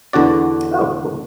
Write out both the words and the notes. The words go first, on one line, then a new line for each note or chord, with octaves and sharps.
Oh, cool.
E2 D3 D4 F#4 D5